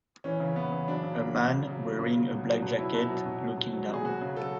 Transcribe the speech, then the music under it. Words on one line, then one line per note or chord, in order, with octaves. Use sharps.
A man wearing a black jacket looking down.
E3 C#4
C#3
E3 B3
C#3
F#3 D4
C#3
F#3
C#3
F#3
C#3
F#3
C#3
F#3
B2
F#3
B2
F#3 E4
B2
F#3
B2
F#3
B2
F#3
B2 G#4
F#3 F#4
C#3
F#3 A4